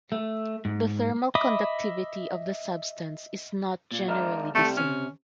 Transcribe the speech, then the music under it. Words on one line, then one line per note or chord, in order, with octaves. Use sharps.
The thermal conductivity of the substance is not generally the same.
A3
G#2
D#5 E5 B5 D6 D#6
A#2
G#3 D4 A#4
C3 G3 A3
C3 C#4